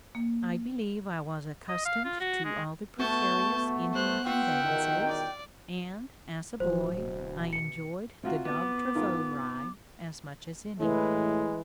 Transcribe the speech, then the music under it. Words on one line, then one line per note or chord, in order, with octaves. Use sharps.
I believe I was accustomed to all the precarious Indian conveyances, and, as a boy, I enjoyed the dog-travaux ride as much as any.
A#3
D#5
F5
F4
F#4
G#3
A3 B3 F#4 A5 G6
A3
C5 F#6
F4 E5 F#5 G5
E2 B2 D#3
D5
D1 F3 F#3 C5
B2
C#7
C3 F4 F#4
B3 D6
G#1 D#3 F4
A2 E3 G#3 E4 B4